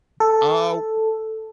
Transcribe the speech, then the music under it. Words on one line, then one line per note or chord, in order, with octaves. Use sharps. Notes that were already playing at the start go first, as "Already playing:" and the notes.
D oh
A4